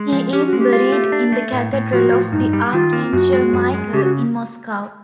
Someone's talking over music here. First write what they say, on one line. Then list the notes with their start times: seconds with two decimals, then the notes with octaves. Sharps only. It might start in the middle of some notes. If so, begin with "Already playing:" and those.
He is buried in the Cathedral of the Archangel Michael in Moscow.
Already playing: G#3
0.12 F3
0.33 C#4 G4
0.47 F#4
0.53 G#3
0.59 G4
0.73 F4
0.92 A3
1.12 D4
1.32 A3
1.52 A2
1.73 A2
1.93 F3 F#4
2.12 A2
2.32 G2 D#4
2.53 G3
2.73 D#3 F4
2.93 A#3
3.13 F#2 F#4
3.33 G#3
3.53 F#2
3.74 G#3
3.93 C#3 G4
4.04 F#4